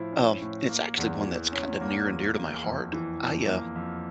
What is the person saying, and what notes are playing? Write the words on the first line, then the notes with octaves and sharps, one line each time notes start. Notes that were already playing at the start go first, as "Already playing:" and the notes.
Um, it's actually one that's kind of near and dear to my heart. I, uh
Already playing: A2 F3 E4
C#4
A2
A#3
E2
E3
C#4
A#3
E2
A#3
F2
E3
F2
A#3
F2